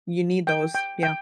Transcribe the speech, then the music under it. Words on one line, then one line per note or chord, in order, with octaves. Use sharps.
You need those. Yeah.
G5
G5
G5